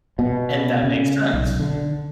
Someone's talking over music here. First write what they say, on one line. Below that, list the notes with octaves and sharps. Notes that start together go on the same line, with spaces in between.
and that makes sense.
B2
C#3
B1
D3